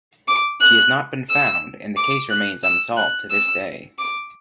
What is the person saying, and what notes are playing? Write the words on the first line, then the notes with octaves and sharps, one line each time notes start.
She has not been found and the case remains unsolved to this day.
D6
F#6
E6
D6
F#6
E6
F#6
E6
D6